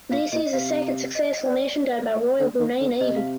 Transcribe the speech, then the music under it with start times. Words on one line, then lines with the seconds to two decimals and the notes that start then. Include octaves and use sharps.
This is the second successful mission done by Royal Brunei Navy.
0.11 A#2 F5
0.32 A#2 D#5
0.53 C3 F5
1.15 D#5
1.46 D5
2.40 D3
2.59 D#3
2.80 D3
3.01 C3 D#5
3.16 F5